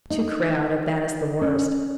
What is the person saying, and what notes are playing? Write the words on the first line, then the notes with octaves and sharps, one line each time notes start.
Too crowded, that is the worst.
D#4
C#4